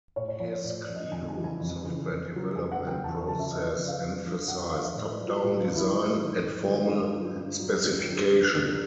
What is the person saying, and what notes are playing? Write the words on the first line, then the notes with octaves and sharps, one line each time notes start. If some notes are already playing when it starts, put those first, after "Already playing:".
His Cleanroom software development process emphasized top-down design and formal specification.
A2 C#5
C#5
F3 C#5
C5
A2 D5
F3
D#5
F2 G#5
G#5
C#3 E3
G#5
F2
C#3 E3
F2
C#3 F#3
F2 G#5
F#5
C#3
F#3 G5
E2 A5
C#6
C#3 F3 A5
E5
E2 D#5
D5
C#3 F3
F5
F2
D3 F3
F2 F#5
G5
D3 F3 F5
E5
A2 D5
B4
F#3
F#4
A2 F#4
F4
F#3
E4
G#2
D#3 F#3
G#2
D#3 F#3
G2 F4
D3 F#3
G2
D3 F#3
G2
G4
D3 F#3
G#4
G2 A#4
B4
D3 F#3 A#4
A#4